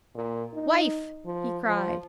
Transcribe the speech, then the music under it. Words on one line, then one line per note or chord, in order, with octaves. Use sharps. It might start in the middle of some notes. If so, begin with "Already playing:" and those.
"Wife!" he cried.
A#2
D#4
F3
F3